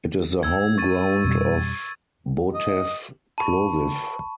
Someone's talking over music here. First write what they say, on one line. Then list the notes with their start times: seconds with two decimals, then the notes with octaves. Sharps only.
It is the home ground of Botev Ploviv.
0.43 E6 G#6
0.78 C#6 A6 D#7
1.24 F2 B2 G3
2.54 D#5
3.38 A5 B5 C#6